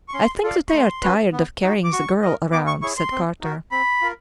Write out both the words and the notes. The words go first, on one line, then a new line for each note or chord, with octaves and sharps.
"I think they are tired of carrying the girl around," said Carter.
C#6
C#4 C6
F4 A4 D5 F5
C#6
A3 C6
C#4 F#4 B4
B3
D#4 F#4
D6
F#4 C#6
A#4 D#5
B3 D6
C#6
E4 G#4 C#5 C#6
C6
C4
D#4 F#4 A#4
C4 B5
F4 A#4